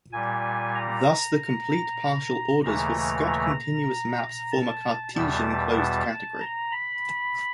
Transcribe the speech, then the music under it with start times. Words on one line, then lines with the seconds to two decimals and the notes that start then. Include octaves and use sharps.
Thus the complete partial orders with Scott-continuous maps form a cartesian closed category.
0.12 A#2 G3 G#5
0.75 A#5
2.63 D#2 C#3 E3 A3 A#5
3.27 A#5
4.52 A5
5.15 E2 B2 G3 A5
5.78 A5
6.41 A#5
6.72 B5